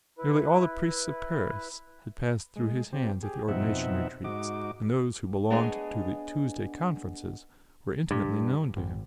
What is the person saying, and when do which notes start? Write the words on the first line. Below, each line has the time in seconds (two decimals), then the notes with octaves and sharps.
Nearly all the priests of Paris had passed through his hands at the ordination retreats and those who belonged to the "Tuesday Conferences" were intimately known to him.
0.18 E4 B4
2.56 G#3
2.93 C4 G4
3.23 G4 G#4
3.48 F2 B2 C4 D#4 E5 F#5
4.24 G#2 D#4 F#4 D6
5.50 B3 D4 G#4 C#5 D#5 G#5
8.11 G2
8.77 G#1